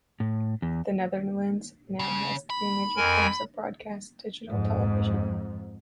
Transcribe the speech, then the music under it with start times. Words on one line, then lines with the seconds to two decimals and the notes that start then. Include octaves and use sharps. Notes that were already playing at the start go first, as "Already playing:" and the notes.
The Netherlands now has three major forms of broadcast digital television.
0.20 A2
0.62 E2
1.99 C#3
2.50 B5
2.96 F2 A#4 G#5
4.49 F2 G#2